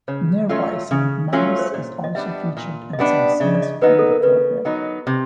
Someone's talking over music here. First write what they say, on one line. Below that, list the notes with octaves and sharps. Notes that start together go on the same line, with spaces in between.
Nearby Saint Mawes is also featured in some scenes from the programme.
C#3 C#5
F#3 A3 C#4 F4
C#3
F#3 A3 C#4 F4
C5
C#5
A#2 D5
D#5
G3 B3 D4 E5
A#2
D#5
G3 B3 D4 E5
C#3 E5
D#5
D5
D#5
F#3 B3 D#4 B4
A4
A#4
C#3 B4
F#3 B3 D#4
C3